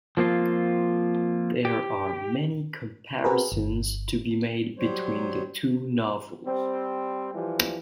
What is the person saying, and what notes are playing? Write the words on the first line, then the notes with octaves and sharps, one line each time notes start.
There are many comparisons to be made between the two novels.
F3 A#3 C4 F4
G4
C4 F#4 G#4 A#4 B4
G1
F#3 G3 C5 C#5
G3 C4
E3 F3 G3